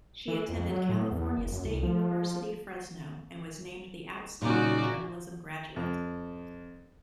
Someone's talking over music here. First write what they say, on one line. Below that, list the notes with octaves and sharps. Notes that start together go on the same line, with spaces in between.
She attended California State University, Fresno and was named the Outstanding Journalism Graduate.
E3
F2
F#3
A2
E2
F#1
F#2
C2
F3
A#2 C#3 D#4 F#4 D5
F2